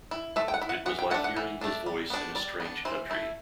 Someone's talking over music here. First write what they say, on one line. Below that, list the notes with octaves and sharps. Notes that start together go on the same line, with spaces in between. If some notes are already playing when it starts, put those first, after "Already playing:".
It was like hearing his voice in a strange country.
E4
A3 E5
G5
F#5
E4
F#5
E3 F#5
G5
A3 D4 F#5
F#5
E3
A3 D4
G3
B3 D4
G3 D5
B3
D4
E3 C5
A3 E4